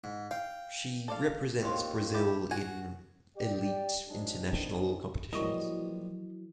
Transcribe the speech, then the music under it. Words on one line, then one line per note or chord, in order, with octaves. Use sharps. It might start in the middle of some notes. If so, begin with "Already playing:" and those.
She represents Brazil in elite international competitions.
G#2
F5 G5
A4 D5 F5
D#2 C4 F4 C#5
E4 G4
F#4 G#5
G4 D5
E3 F#3 G#3 C4 D4 D#4
D3 D#3 B3 C4 D4
A#1 E3 F#3 G3 F4 A#4 D#5 C#6